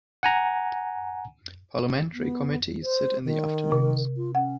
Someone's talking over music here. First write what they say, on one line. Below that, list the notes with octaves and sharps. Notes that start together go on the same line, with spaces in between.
Parliamentary committees sit in the afternoons.
F#5 G#5 A#5
B3
C5
D#3
C3
F4
C#4 F#5